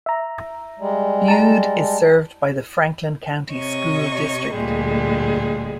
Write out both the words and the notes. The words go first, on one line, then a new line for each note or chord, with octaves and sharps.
Bude is served by the Franklin County School District.
E5 A#5
G3 G#3
A5 A#5
C3 C#5 D#5 C#6
D2 A#2 G3 G#3 G#4